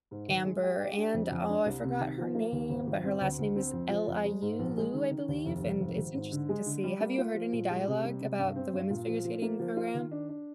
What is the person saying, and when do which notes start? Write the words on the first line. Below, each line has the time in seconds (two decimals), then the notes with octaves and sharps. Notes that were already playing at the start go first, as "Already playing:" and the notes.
Amber and oh, I forgot her name, but her last name is L-I-U, Liu, I believe, and it's interesting to see. Have you heard any dialogue about the women's figure skating program?
0.11 G#2
0.28 D#3
0.45 G#3
0.63 G4
0.80 G4
0.97 D4
1.14 F2
1.31 F2
1.49 D4
1.66 C2
1.83 C3
2.00 D#3
2.18 F3
2.35 A#3
2.52 D#2
2.69 G#1
2.87 G#1
3.04 C4
3.21 D2
3.38 D2
3.56 C4
3.73 F2
3.90 F3
4.08 F2
4.25 G#3
4.42 G#2
4.59 A#1
4.77 G#3
4.94 D#3
5.11 D#3
5.28 D#2
5.45 F1
5.63 F1
5.80 G#1
5.98 G#1
6.14 G#2
6.32 D3
6.49 G#3
6.66 D3
6.84 G3
7.00 A#3
7.18 F4
7.35 F3
7.53 A#2
7.70 G#3
7.87 C3
8.05 G3
8.21 C3
8.39 G2
8.56 C4
8.74 G2
8.90 A#2
9.07 F3
9.25 F3
9.42 A#3
9.60 F3
9.77 F4
9.94 D#3
10.12 D4
10.29 D4